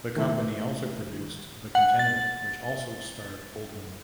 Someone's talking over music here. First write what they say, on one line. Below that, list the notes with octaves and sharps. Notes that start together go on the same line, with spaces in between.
The company also produced "The Contender", which also starred Oldman.
D#3 A3 E4
F#5
A6